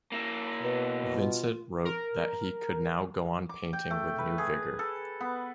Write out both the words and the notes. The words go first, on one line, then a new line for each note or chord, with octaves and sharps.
Vincent wrote that he could now "go on painting with new vigour".
A#3 E4
B2 B4
F4
A#4
D6
G5
A3
B4
G#4
A4
B3